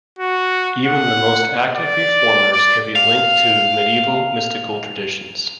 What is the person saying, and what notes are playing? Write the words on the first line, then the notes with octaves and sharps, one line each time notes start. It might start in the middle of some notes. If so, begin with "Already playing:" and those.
Even the most active reformers can be linked to Medieval mystical traditions.
F#4
F#5
D5
D5
F5 F7